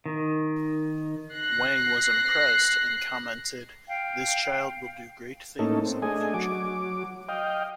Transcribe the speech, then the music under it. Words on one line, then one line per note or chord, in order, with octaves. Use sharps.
Wang was impressed and commented, This child will do great things in the future.
D#3
F#6 A#6 C7
F5 G5
A2 A#3 C#4 D#4 A4
C4
A3 D4 G#4 D#5 G#5
F#3 D6
D#5 F5 G5